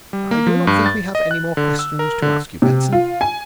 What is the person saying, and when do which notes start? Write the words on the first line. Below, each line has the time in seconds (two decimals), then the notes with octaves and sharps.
"I do not think we have any more questions to ask you, Benson."
0.13 G3
0.31 A#3
0.47 F3
0.67 G2
0.86 A6
1.15 D#5
1.31 F#6
1.57 D3
1.79 E6
1.99 A#4
2.22 D3
2.62 C3
2.92 F4
3.21 G#5